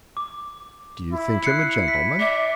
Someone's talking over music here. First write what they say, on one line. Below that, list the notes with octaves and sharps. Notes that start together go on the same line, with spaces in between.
"Do you think him a gentleman?"
D6
E4
F#6 C7 C#7
B6
D5 E5